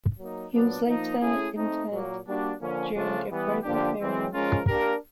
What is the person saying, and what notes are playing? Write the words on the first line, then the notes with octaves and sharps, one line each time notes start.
He was later interred during a private burial.
F#3 A#3 D#4
A#2 F#3 B3 D4
F3 A#3 D#4
A3 C#4 E4 G#4
A3 C4 D#4
A#2 F#3 A#3
G3 A#3 D4 F#4
D3 F3 A#3 C#4
C#3 F3 A3 D4 F4
E3 G3 B3
D3 F3 A#3 D4 G4
E3 G#3 C4
F3 G#3 C#4 F4 A#4
A#3 D4 G4 A#4